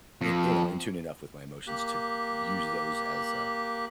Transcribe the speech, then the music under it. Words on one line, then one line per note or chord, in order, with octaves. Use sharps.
you you know, in tune enough with my emotions to use those as, uh,
F2
A#3 G4 F#6